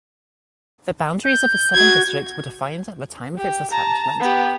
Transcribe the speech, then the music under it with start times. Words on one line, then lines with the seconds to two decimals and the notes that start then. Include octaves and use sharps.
The boundaries of the Southern District were defined at the time of its establishment.
1.24 G6
1.74 F#4 G#6
3.38 G4
3.71 A5 A#5
4.20 B3 G4